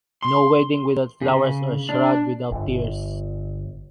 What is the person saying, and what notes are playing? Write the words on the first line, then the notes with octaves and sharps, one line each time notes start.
No wedding without flowers or shroud without tears.
C6
C#3
D4
G1